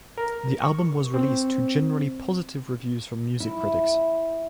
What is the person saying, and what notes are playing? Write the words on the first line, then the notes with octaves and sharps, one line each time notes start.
The album was released to generally positive reviews from music critics.
A#4
C#6
C4
E4